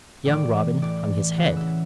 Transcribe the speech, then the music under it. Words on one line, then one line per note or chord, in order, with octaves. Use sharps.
Young Robin hung his head.
A2 E3 D5
A2 E3 D5
C#3 E3 F#5
E5